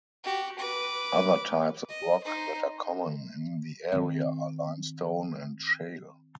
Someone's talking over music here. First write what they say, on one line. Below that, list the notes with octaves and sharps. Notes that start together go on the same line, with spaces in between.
Other types of rock that are common in the area are limestone and shale.
F#4 G4
B4 D6
D#5
D#4 C5
D#3 C4